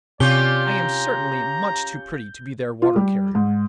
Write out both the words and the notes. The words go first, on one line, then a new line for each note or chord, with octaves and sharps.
I am certainly much too pretty to be their water carrier!'
C3 C#4 F4 G4 D5 G6 G7
A#5
F4
G3
G#2